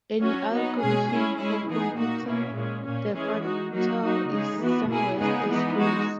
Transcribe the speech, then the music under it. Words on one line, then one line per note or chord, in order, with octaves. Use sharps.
An algorithm, for computing the fractal is summarized as follows.
F#3 C#4 F#4
F#3 B3 D#4
B2 G#3 C#4 G#4
G#3 C#4 E4 G#4
G#3 C#4 E4 G#4
E3 B3 D#4 G#4
A#2 A#3 D#4 F#4
B2 A#3 C#4 E4
A#2 G#3 C#4
A#2 A#3 C#4
E3 G#3 C#4 G#4
G#3 D#4 F#4
F#3 A#3 D#4 F#4
F#3 A#3 D#4 F#4
C#3 G#3 D#4 G#4
E3 B3 F#4
B2 A#3 E4 G#4
C#3 G#3 B3 D#4 G#4
E3 B3 D#4
G#3 D#4 F#4